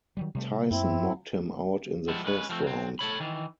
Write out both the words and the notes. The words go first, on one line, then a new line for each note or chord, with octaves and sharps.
Tyson knocked him out in the first round.
D#3 F#3 G3
C3 G3 A3
F#2 C4 E4
F3 G3 G#3 B3 E4
G#3 C#4 B4
F3 G3 A3 C4
F#3 C4
A3 A4 C#5 B5
D#3 E3